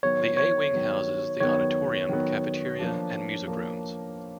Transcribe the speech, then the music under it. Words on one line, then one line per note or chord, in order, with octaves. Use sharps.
The A-wing houses the auditorium, cafeteria and music rooms.
D#3 F#3 B3 C#5
C#5
D#3 F#3 B3
D#3 F#3 B3 C#5
D#3 F#3 B3
F3 A#3 D4
F3 A#3 D4